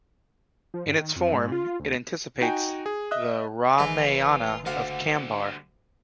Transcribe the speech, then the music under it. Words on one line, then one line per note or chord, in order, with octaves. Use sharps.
In its form, it anticipates the Ramayana of Kambar.
F3
G2
D#3
F2
G#2
F4
D2
D#4 F#4 G5 G#5
G#4
D#5 E5 D#6 F#6
F#1 E3 G#3 E4 F4
D2 D3 G3 F5 F#5